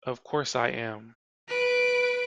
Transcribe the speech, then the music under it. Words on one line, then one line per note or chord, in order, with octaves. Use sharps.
Of course I am!
B4 D7